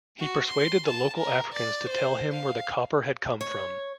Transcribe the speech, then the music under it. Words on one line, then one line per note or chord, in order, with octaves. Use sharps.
He persuaded the local Africans to tell him where the copper had come from.
F#4
C6
A5
A#4
D5
C5
F5
C#5